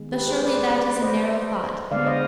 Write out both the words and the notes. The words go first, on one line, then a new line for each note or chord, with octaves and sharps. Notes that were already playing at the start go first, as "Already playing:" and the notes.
But surely that is a narrow thought.
Already playing: D#3 G#3 B3
G4 B4
G#4 C5
B4 D5
B4 D5
B4 D5
C5 D#5
D3 G#3 B3 D5 F5
C5 D#5